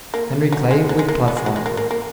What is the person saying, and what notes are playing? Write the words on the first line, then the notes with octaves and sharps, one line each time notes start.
Henry Clay, Whig platform.
A#3
F#3
G#3
F#3
G#3
A#3
B3
G#3
F#3
G#3
A#3
A#3
A#3